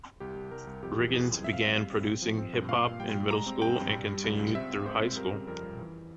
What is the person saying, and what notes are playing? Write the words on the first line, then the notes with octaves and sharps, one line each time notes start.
Riggins began producing hip hop in middle school and continued through high school.
C2 G4
C2
C2 A#4
C2
F2 G4
E3
E3 G#4
F2
C4 E5
F5
G3 E5
G3
C4
C4
F3
C4
G2
A#2 F5
A#2
G3 G5
G3
G#3 A#5
C4
G2 G5
G2
G3
G3
C#2
C#2
C4 E5
C4
G#3 C5
C4
G3 A#4
C#3
F2 A#4
G3
E3